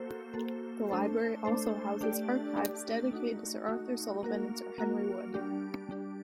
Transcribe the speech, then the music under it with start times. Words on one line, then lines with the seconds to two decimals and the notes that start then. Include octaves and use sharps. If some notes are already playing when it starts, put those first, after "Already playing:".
The library also houses archives dedicated to Sir Arthur Sullivan and Sir Henry Wood.
Already playing: A#3 F#4 A4 C5
0.33 A#3 F#4 A4 C5
0.89 A3 D4 A4 C5
1.45 A3 D4 A4 C5
2.01 A3 D4 G4 D5
2.56 A3 D4 G4 D5
3.12 A3 D#4 F#4
3.67 A3 D#4 F#4
4.23 A#3 F#4 A#4
4.78 A#3 F#4 A#4
5.34 G3 D4 G4
5.90 G3 D4 G4